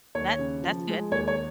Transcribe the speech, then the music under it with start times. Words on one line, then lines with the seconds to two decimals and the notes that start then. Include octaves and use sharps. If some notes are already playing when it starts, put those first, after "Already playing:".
That that's good.
0.15 D#2 C#5
0.39 C#3
0.63 F3
0.88 G#3
1.12 D#2 C#5
1.28 C#5